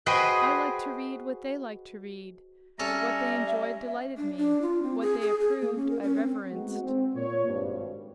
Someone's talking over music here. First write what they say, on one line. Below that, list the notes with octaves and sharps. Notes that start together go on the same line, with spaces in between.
I liked to read what they liked to read: what they enjoyed, delighted me; what they approved, I reverenced.
F#4 G#4 B4 C5 D#5 G5
G3 C#4 A4 E5 A#5
D4
D4
F4
C4
G#4
G#4
G#4
A#3
C#4
A#4
C#4
C4
G#3 A3 B3 C4 D#4 F#4
C4
A#2 C#5
G#1 G2